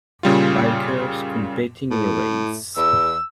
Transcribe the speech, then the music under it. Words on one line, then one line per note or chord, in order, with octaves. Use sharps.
Bikers competing in a race.
A#2 C#3 G3 F4
A2
E2 E6